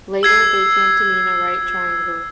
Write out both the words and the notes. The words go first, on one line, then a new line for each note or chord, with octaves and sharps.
Later, they came to mean a right triangle.
E6 G#6 C7